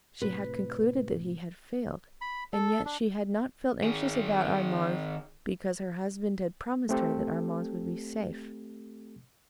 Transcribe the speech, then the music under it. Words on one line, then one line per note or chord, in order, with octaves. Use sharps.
She had concluded that he had failed, and yet, she had not felt anxious about Armand, because her husband had promised her that Armand would be safe.
A2 C3 B4
B5
A4
D4
D#3 G#4
A3 C4 G4 A4